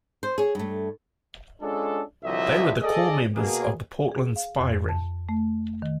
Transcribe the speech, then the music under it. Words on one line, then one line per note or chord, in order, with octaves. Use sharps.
They were the core members of the Portland Spy Ring.
C5
G#4 C#5
G2 A3
G#3 C#4 D4 F4 A4
C2 D3 F3 F#3 D#5 E5
G#4 A4 D5 D#5
B2 A#3 G#4
G#4
F5
F2
A5
A3
D#3